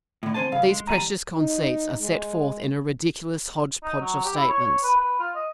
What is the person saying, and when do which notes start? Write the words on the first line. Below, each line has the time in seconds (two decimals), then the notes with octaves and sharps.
These precious conceits are set forth in a ridiculous hodge-podge of statements.
0.23 A2 D3
0.34 E2 C4 C5 G#5 A5
0.52 G2 C#3 F5
0.68 G#3
0.87 E2 G3 F5 G#5 A#5
1.37 D#4
2.01 G#3
3.83 D#4
4.00 F#3
4.24 G4
4.36 E4
4.48 C#5
4.61 C#5
4.83 B4
4.96 B4
5.20 F4
5.35 D#5